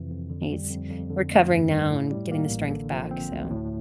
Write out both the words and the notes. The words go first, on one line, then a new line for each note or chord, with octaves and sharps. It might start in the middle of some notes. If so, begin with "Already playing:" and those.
he's recovering now and getting the strength back, so
Already playing: F2 C3 E3
F2
D3
G3
F2
F2
D3
A3
G2
G2
A2
G3
A#3
A1
D3
F3
C4
D2
A2